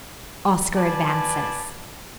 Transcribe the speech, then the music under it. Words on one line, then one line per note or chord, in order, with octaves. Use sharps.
Oscar advances.
B4 D5 G#5 A5